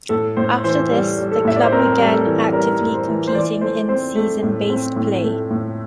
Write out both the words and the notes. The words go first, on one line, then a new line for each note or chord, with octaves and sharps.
After this, the club began actively competing in season based play.
A2 A4
A2 C5
E3 C5
G3
G3
A4
A2 E5
D5
C5
C4 A#4
G3
A4
E3
G3 A#4
A2
C5
E3
C5
E3 D5
A3 C5
C4 C5
A3
A2
C4
A2
A3
A2